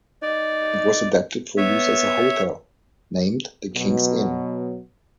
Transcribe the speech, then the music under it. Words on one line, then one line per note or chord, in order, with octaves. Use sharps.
It was adapted for use as a hotel named the King's Inn.
D#4 D5
B3 C#5 E5
B2 F#3